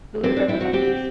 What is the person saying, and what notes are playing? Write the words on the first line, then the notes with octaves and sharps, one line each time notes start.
Blue represents peace.
C4 G4
D4
C4 E4
F#4
C4 G4